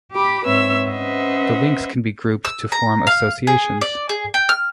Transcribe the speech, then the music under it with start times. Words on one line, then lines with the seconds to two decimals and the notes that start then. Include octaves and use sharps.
The links can be grouped to form associations.
0.13 G4 B5 D6
0.45 G#2 C4 B4 C#5 E5 E6
0.89 C#4 B4 C5 D#5 E5 F#5
2.45 E6
2.72 A#5
3.07 F5
3.47 G#4
3.81 D5
4.09 G#4
4.34 G5
4.49 F6